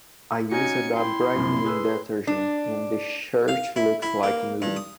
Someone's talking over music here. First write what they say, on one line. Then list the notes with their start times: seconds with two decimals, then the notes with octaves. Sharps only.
I used a brightening detergent and the shirt looks like new.
0.51 C#4 D#4 F#4 G#5 C#7
0.97 E4 G5 C6
1.35 A#1 F#2 C3
1.65 G#4 B4 E6
2.27 D4
3.48 F5
3.76 E4
4.02 E4
4.23 A#3
4.62 G2
4.76 D#6